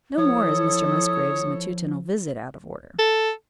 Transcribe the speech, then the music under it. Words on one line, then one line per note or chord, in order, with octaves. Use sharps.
No more is Mr Musgrave's matutinal visit out of order.
F3 E4 A4 C#5 D#6
A4